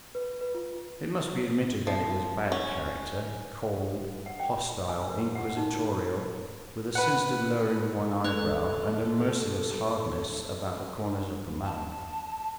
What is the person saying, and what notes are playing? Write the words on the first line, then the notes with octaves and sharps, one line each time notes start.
It must be admitted that it was bad character, cold, hostile, inquisitorial, with a sinister lowering of one eyebrow and a merciless hardness about the corners of the mouth.
B4
B4
F4
F3
C#4
F#5
G5
G#5
A#4
F#5
D#4
B4 F#5
G#3 A4 B4 F#6 F7
A5